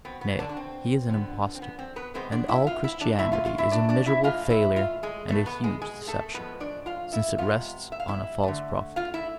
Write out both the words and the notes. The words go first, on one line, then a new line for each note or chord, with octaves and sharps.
Nay, He is an impostor, and all Christianity is a miserable failure and a huge deception, since it rests on a false Prophet.
B2 B3 C4
B3
D3 D4
D4
C4
D3 F3 B3
C4
B3
C4
B3 B4
C3 G#3 B3 C4 C5
D4 D5
E4 E5
F4 F5
E4 E5
D4 D5
D3 A3 E4 E5
F4 F5
F4 F5
E4 E5
D4 D5
D4 D5
E4 E5
A2 E3 G#3 F4 F5
E4 E5
F4 F5
G#3 G#4
B2 A3 B3 A4
B3 B4
G#3 G#4
G#3 G#4
A3 A4
A2 F3 G#3 B3 B4
D4 D5
F4 F5
E4 E5
C3 G#3 B3 F4 F5
E5
F5
E4 E5
D3 A3
F4 F5
E4 E5